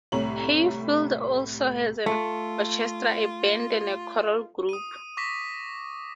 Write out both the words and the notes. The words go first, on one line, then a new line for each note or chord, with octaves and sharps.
Hayfield also has an orchestra, a band and a choral group.
C2 A2 C#5 A#5 F#7
A3 F4
D#6 D#7
C#6 D6 A#6 B6